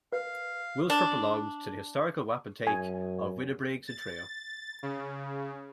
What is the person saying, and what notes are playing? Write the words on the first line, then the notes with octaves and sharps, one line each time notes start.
Wilsford belonged to the historical wapentake of Winnibriggs and Threo.
B4 F5
D4
F#2 G#5
A6
C#3